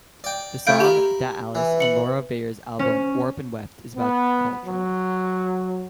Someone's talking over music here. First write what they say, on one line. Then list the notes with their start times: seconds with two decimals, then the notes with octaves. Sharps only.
The song "That Alice" on Laura Veirs' album "Warp and Weft" is about Coltrane.
0.24 D5 G5
0.67 A2 E4 F4 G6 D7
0.80 G4 A#4 B5
1.55 E3
1.80 C#7 F#7
2.79 C#4
3.96 B3
4.65 F#3